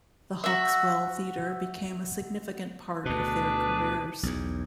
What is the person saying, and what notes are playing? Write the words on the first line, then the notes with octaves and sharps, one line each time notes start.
The Hawkswell Theatre became a significant part of their careers.
F#4 E5
D2 B2 D4 G#4 B4
B1 E2